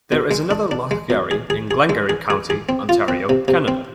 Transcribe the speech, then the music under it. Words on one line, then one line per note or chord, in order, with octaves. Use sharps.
There is another Loch Garry in Glengarry County, Ontario, Canada.
B2
G#3
D4
D4
G#3
B2
G#4
G#4
G#4
G#3
G#4
G#4
G#4
C4
F4
C4
C3
C3
C4